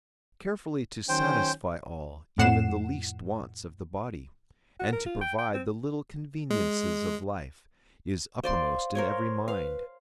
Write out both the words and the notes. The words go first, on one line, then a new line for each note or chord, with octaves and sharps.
Carefully to satisfy all, even the least wants of the body, and to provide the little conveniences of life, is uppermost in every mind.
D#3 F#3 C#4 C5 G5
F2 A2 F#5 C7 E7
F#4
A#4
F4
G5
G5
C4
G#3
C5 D5 F5 C6
A#4 C5 C#5
B4 F5